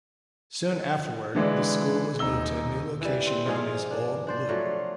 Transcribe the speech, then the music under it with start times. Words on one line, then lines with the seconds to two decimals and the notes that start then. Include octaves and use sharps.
Soon afterward, the school was moved to a new location known as Old Leupp.
1.35 D3 E3 G#3 D4
2.19 D#1 D#4 E6 G7
3.01 E3 G3
3.27 C4
3.46 G#2 F3 G#4 F5
3.91 D4
4.27 D4 C5 D5
4.49 F3 F#3 A3